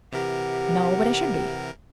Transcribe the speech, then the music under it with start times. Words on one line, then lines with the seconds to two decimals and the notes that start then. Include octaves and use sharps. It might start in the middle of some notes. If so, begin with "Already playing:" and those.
"No--but I should be."
0.12 C3 E3 G4 A#4 F#5